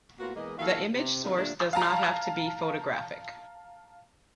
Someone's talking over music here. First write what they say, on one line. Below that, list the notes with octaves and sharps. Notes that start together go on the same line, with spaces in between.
The image source does not have to be photographic.
A2 A#3 B3 F4 F#4
E2 E3 G#3 A#3 D#5
D#2 E3 F#4 A4 F5
C3
C3 D#3 G3 D4 D#4 F4
A#2 D3 G3 A3 D4 A#4
F5 A5 A#5